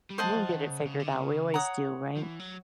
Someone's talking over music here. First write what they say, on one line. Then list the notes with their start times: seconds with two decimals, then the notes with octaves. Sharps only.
We'll get it figured out. We always do, right?
0.10 G3
0.18 G#3 C5 D#5 F#5 A5
0.36 F3
0.52 D#3
0.70 C#3
0.86 C#3
0.99 D3
1.13 C#3
1.54 C#5 F#5 A#5 D#6
2.17 F3
2.22 E3
2.40 F#3